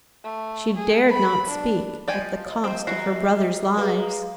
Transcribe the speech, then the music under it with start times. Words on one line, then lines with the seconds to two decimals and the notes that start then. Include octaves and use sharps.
She dared not speak, at the cost of her brothers' lives.
0.24 A3
0.77 G#4
1.09 B5
1.49 D4
2.08 F3 D5 D#5 G5 G#5
2.64 C4 C5
2.87 E2 E4 F#4 C7
3.77 A#3 G#4 B4